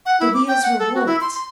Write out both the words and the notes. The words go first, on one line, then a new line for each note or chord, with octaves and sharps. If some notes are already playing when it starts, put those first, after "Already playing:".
The wheels were warped.
F#5
E4
D6
G5
F#5
A4
F#4
E4
C6
C6